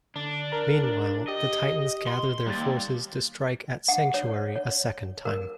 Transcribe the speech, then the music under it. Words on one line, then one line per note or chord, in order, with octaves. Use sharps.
Meanwhile, the Titans gather their forces to strike at Sanctuary a second time.
D3 D4
A#4 A#5
G4 D#5
C6
D#2 G3 A6
F#5
C#5
C#5
A#4